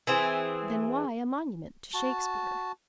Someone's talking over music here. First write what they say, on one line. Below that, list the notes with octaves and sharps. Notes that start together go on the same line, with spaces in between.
Then why a monument to Shakespeare?
E3 C4 G#4
F#4 A5